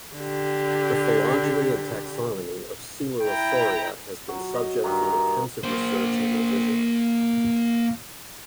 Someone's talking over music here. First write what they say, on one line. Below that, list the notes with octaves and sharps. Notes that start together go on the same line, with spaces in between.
The phylogeny and taxonomy of Coelurosauria has been subject to intensive research and revision.
D3 G4
E4 G5 A#5
F#3
D#5
G2 D#3 A#5
A#5
A#3 C5